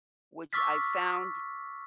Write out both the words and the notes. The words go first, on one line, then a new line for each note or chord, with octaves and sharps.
which I found
C#6 D6 E6 F6 A6 B6